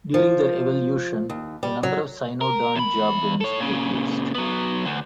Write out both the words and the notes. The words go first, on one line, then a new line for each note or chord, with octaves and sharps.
During their evolution, the number of cynodont jaw bones reduced.
F3
D#2
G3
F#3
A#4
E2 B5
A4 C#5
A#2 C#3
F#3 B3
D2